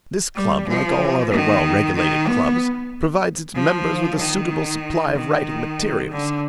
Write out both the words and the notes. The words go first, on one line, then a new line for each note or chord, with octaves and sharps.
This club, like all other well-regulated clubs, provides its members with a suitable supply of writing materials.
G3
F3
D#3
D#3
B3
F3
D#3
D#3
D3